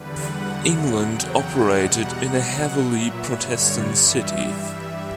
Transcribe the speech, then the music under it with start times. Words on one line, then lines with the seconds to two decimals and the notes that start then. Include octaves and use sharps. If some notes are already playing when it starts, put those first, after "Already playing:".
England operated in a heavily Protestant city.
Already playing: E2 D3 G3 B4
0.16 F#5
0.46 E2 D3 F#3
1.02 E2 C#3 F#3 G5
1.32 F#5
1.61 E2 B2 G3 F#5
1.90 A#5
2.19 B2 F#3 F#5
2.77 A#2 F#3 E5
3.06 B4
3.35 G2 D3 G3 C#5
3.65 D5
3.92 G2 E3 G3 E5